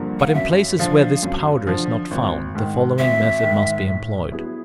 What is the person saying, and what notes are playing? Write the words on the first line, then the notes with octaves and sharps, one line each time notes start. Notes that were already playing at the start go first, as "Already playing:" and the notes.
But in places where this powder is not found, the following method must be employed.
Already playing: G2 D3 F3 A#3
F#5
F5
F#2 E5
D3 F3 F5
F#2
D3 F3
G#1
G#2 D#3
G#1 E5
G#2 D#3
A2
F#3 B3 E4 G#4